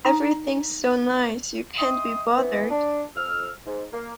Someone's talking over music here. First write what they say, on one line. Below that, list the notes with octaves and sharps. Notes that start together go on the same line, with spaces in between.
Everything's so nice you can't be bothered'.
D#4 A#5
D#5 E5 G5 C6 D#6
E3 B3
D4
F2 E6 F6
G#2
A#3